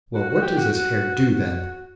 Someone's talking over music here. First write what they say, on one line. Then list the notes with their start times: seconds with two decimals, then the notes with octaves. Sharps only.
"Well, what does his hare do, then?"
0.14 F#4
0.28 F#4
0.42 G4
0.57 F#4
0.72 F#4
1.30 F#4